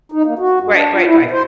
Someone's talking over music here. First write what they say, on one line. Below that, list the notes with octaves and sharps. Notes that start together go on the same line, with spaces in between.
Right, right, right.
D#4
A#3
F#4
G2
D4
F4
E4
B2
C5